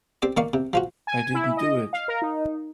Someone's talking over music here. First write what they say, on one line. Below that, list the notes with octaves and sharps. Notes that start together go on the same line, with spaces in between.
I didn't do it.
C4 G4 D5
D#3 A#3 D5 F5 C#6
C3
F3 F4 F#4
G#5
E4
D#5
F5
A#4
D#4